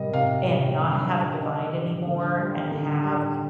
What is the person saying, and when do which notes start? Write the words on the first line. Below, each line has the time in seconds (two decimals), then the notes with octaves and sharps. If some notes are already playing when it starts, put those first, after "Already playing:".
and not have a divide anymore and have
Already playing: C3 G3 A#4 D#5
0.13 C3 F5
0.46 G3
0.78 D3
1.10 G3
1.42 D3 D#5
1.74 G3
2.07 D3
2.39 G3
2.71 D3
3.03 G3